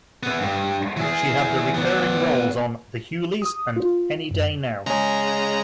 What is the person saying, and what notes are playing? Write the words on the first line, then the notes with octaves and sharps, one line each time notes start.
She had the recurring roles on "The Hughleys" and "Any Day Now".
B3 E4
G2
E3 G#4
B3 D5
D#6
F4
F#2
C#3 G#3 A#5